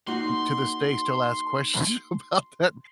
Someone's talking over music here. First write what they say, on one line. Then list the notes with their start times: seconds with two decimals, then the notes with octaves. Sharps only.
to this day, still ask questions about that
0.07 A#3 D#4 F#4 C6